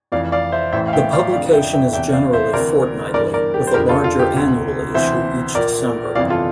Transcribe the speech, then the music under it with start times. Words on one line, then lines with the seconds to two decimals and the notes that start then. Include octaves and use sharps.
The publication is generally fortnightly, with a larger annual issue each December.
0.12 F1 F2 E3 D5 F5
0.32 D5 F5
0.52 C5 E5
0.72 A1 A2 E3 C5 E5
0.88 F5
0.93 E5 G5
1.13 D5 F5
1.33 F1 F2 D3 D5 F5
1.53 E5 G5
1.73 E5 G5
1.93 E1 E2 C3 E5 G5
2.13 D5 F5
2.33 C5 E5
2.53 D2 C3 E3 A#4 D5
3.14 G1 G2 E3 A#4 D5
3.34 A#4 D5
3.54 G4
3.67 C5
3.74 F1 F2 D3 G4 A#4
3.89 F4 A4
4.04 F4
4.19 G4
4.34 E1 D2 C3
4.94 D2 C3 E3 C5 E5
5.55 A#1 A#2 A#4 D5
6.15 G1 F2 C3 E3 D5 F5
6.30 F4 A4